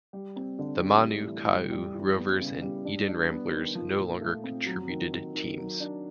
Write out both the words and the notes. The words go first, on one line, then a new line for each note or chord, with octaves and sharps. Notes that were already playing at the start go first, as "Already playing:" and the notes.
The Manukau Rovers and Eden Ramblers no longer contributed teams.
G3
C4
D3
G3
A2
E3
G3
G3
E3
B3
C#3
G3
D4
D4
B3
D#3
F3
A#2
A3
C4
F#3
D#3
D#3
D#3
F#3
D4